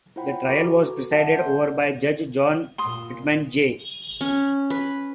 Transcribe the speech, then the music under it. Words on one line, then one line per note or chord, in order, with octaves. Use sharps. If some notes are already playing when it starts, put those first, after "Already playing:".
The trial was presided over by Judge John Pitman J.
E4 F4 C5 F#5 G5 B5
F#4 A4 B4 A#5 C#6 D6
D5 E5 F#5 A5
A4 C6 G6
A#2 C6 D#6
C#4
B4